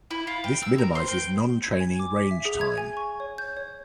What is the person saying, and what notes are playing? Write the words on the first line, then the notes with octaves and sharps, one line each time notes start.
This minimizes non-training range time.
E4
F4
G5
E6
A#4
C5
G5
G#6
G#5
D6
B6
E5
G#4
G#6
G#5
C#6
C#5
G6
C#5